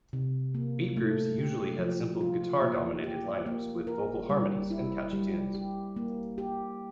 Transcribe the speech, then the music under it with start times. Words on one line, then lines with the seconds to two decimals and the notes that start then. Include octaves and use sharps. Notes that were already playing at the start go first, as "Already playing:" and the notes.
Beat groups usually had simple guitar-dominated line-ups, with vocal harmonies and catchy tunes.
0.13 C3
0.55 A#3
0.96 A3
1.38 G4
1.79 F3
2.21 F4
2.62 A#3
3.04 G4
3.46 A#3
3.87 A#4
4.29 G3
4.71 E4
5.13 G3
5.54 G4
5.96 A#3
6.38 G4